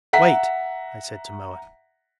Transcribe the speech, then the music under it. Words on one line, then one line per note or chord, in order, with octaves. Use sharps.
"Wait," I said to Moa.
E5 F#5 A#5 B6